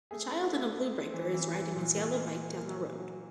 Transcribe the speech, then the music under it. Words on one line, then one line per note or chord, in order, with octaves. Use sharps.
A child in a blue breaker is riding his yellow bike down the road.
A3 G#4
C4
A3
A3
C4
E3
E3
E3
A#2
A#3
A#3
A#2
A#3
A#3
F#3